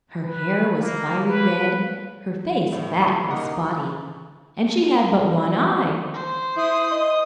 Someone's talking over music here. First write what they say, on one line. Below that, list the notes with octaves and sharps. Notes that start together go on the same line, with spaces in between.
Her hair was fiery red, her face fat and spotty, and she had but one eye.
B4
A#3
B4
A2 D4
A#3 D#4 G4 F#5
C5
E4 D#6
D#5